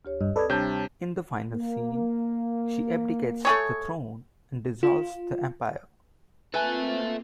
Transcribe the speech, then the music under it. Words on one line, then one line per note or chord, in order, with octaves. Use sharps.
In the final scene she abdicates the throne and dissolves the Empire.
D2 G4 C#5
G2 D#5
C4 A4 B4 D5 D#6 G#6
C3 G3 D4 C#5 A5 G6
A#3
A3 G#4 C#5
F4
A#3 C4 F4 A4 B4 E5 G#5